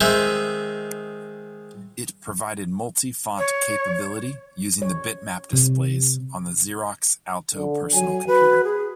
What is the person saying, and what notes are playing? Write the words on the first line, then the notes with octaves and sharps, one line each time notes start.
It provided multi-font capability using the bitmap displays on the Xerox Alto personal computer.
D#3 G#3 C4 E5
C#5
C#5
C3
D3
F#3 G#5
F#4 B4
G#4